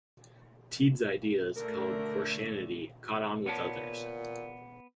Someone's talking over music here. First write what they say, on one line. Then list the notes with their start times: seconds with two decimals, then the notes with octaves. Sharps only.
Teed's ideas, called Koreshanity, caught on with others.
1.57 D3 A3 A#4
3.46 A#2 B3 C#5 A5